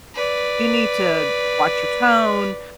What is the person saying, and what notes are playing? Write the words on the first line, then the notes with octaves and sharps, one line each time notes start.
you need to watch your tone,
B4 D5